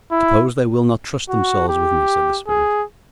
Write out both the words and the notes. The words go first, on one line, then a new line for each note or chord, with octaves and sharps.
"Suppose they will not trust themselves with me?" said the spirit.
E4
F#4
G4
G#4